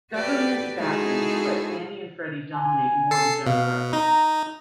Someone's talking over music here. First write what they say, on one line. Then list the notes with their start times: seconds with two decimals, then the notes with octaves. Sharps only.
Government backing let Fannie and Freddie dominate mortgage underwriting.
0.12 F#4 G4 A4 B4 D5 G5
0.76 G#3 D#4 E4 F#4 G#4 A4
2.55 G#5
3.11 A4 C7
3.46 B2 F5
3.93 D#4 A#5